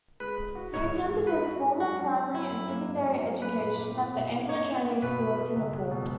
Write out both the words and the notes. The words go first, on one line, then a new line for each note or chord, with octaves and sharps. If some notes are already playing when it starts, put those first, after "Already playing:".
He attended his formal primary and secondary education at the Anglo-Chinese School in Singapore.
G#3 B4
G#3
F#4
G#2 C#5
E3
G#2
D#4 B4
F#4
G#3
F#3 F#4
C#4
C#5
F#3 E4
F#3
A#3
G#2
F#3
F#3
A#3 B4
A#2
A#3
E4
B2
E4
A#3 C#5
E4
A#3
B2 B4
B2
B4
C#2
G#3
B2